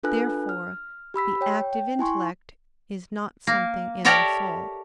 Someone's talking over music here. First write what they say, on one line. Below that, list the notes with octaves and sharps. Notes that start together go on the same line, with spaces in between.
Therefore the active intellect is not something in our soul.
D4 F4 A4 B4 G#5 F#6
F6
G4 B5 E6 B6
C#5 G5
G5
E4 G#5 C6 C#6
A#3
G4 A4 A#4 C#5 D5 E5